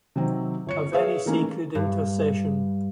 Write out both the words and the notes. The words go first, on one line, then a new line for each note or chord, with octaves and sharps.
A very sacred intercession.
C3 D#3 F#3 C4
G1 C#5 C#7
G#4 B4 C#5 E5 F5
D#3 E3 A3 A#3 C#4
G2